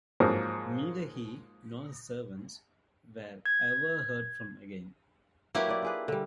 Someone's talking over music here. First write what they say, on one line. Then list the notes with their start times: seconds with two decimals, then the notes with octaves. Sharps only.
Neither he, nor his servants, were ever heard from again.
0.20 G#2 F3 F#3 A#3
3.46 G#6
5.55 F#3 A#3 E4 G4 B4 C#5
5.67 D4 B4 D5
5.82 F4 G#4 B4
6.08 D3 G3